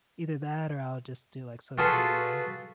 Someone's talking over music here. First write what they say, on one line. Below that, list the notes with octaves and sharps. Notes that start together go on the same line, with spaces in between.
either that or I'll, just, do, like, social media.
F4 F#4 G#4 A4 B4